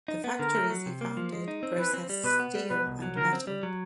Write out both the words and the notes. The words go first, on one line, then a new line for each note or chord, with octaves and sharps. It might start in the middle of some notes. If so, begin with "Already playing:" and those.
The factories he founded processed steel and metal.
D#4
B3
D3 A#4
A3
F#3
C3
A#3
F3
G#3
D#4
C4
E3 B4
C4
G3
B2 B4
B3
G3
B2 B4
C2
F#3
D3 A#4
C4
G3
F#3